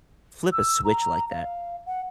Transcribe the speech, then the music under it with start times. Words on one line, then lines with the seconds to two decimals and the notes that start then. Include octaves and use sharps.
flip a switch like that.
0.52 E6
0.85 A#5
1.31 F5
1.86 F#5